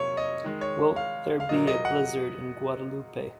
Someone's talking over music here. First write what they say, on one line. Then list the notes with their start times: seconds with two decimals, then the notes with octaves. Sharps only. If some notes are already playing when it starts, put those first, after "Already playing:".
Will there be a blizzard in Guadeloupe?
Already playing: C3 F#3 A#3 C#5
0.17 D#5
0.44 D#3 G#3
0.61 C#5
0.96 F5
1.40 F5
1.49 A#2 F#3 A#3 D#5
1.67 D#5
1.85 F#5